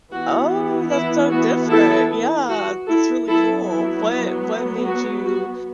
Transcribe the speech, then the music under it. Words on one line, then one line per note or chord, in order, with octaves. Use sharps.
Oh, that's so different. Yeah, that's really cool. What What made you
E3 B3 F#4
E4
F#4
E4 A4
F#4
E4 A4
F#3 B3 E4 A4
E4
F#4
F#4